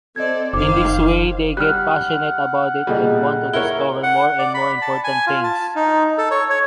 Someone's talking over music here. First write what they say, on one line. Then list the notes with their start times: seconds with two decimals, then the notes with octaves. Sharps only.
In this way they get passionate about it and want to discover more and more important things.
0.16 C4 A4 C5 D5 D#5 G#6
0.54 F#1 D#3 C5 F5 D6
1.57 G3 F#5 F6 F#6
2.87 A#2 G3 G#4 A4 D#5
3.53 E4 A#4 C#5 G7
4.03 F#5
4.39 D5
4.54 B5
4.82 A5
5.04 G#5
5.27 F4
5.44 A5
5.76 D#4
6.18 A4
6.31 C#5
6.50 C#5